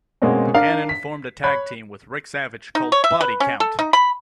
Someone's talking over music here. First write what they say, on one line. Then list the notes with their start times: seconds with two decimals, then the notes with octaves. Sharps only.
Buchanan formed a tag team with Ric Savage called "Body Count".
0.22 B2 G#3 A#3 C4 C#4
0.54 D4 A#4 F5
0.89 B6
1.44 C#5 B5 F#6
2.75 D#4
2.92 C#5
3.04 E5
3.21 B4
3.40 C#4
3.60 A4
3.79 D#4
3.93 B5